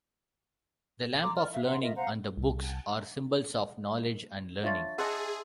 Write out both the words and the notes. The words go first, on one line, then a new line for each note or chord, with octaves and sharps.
The lamp of learning and the books are symbols of knowledge and learning.
A4 A#5 C6 D6
D5 F6
E5 F5
E5 F#5 A#5 C6
F4 A#4 D#5 E5
C5 F5 F#5 A#5
C2
D4 F4 C#5 E5 A6
G#4 D#5 F#5 A5 C6 E6